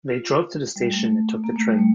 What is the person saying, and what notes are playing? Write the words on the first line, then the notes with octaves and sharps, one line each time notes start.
They drove to the station and took the train.
F4
G3
A3
A#3
A3
G3
A3